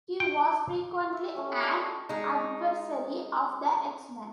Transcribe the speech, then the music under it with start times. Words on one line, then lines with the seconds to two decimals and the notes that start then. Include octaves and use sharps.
He was frequently an adversary of the X-Men.
0.20 G5
1.13 E4
1.35 A3 C#4 G4
1.49 B5
1.63 D5 D#5 A5
2.09 G#3 D#4